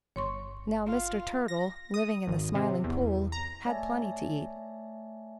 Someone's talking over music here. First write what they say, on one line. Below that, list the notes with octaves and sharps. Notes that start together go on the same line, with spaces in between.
Now Mr. Turtle, living in the Smiling Pool, had plenty to eat.
G1 C#5 C6 C#6
F4
A#6
D#6
G#1
C3
E2
A#5
A3 C#5 D5 E5 G#5 A5